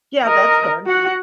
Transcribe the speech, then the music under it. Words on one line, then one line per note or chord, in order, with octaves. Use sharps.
Yeah, that's good.
A#4 D#5
F#4 F#5